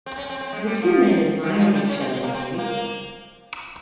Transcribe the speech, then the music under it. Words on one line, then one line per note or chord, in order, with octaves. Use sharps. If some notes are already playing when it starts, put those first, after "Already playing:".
The two men admired each other greatly.
C4
C#4
C4
C4
G#3
G3
F3
D#3
F3
G3
C#4
C4
G#3
A#3
C4
A#3